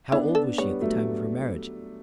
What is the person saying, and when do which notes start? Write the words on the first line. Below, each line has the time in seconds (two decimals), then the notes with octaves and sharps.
"How old was she at the time of her marriage?"
0.12 B3 D4 E4
0.35 A4
0.58 G3 B3 C#5
0.81 F#3 A3